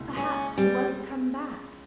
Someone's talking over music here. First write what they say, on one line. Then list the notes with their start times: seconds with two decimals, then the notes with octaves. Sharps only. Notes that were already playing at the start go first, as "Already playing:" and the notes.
"Perhaps you won't come back?"
Already playing: C#2 B2 A#3 E4
0.17 C#4
0.58 G3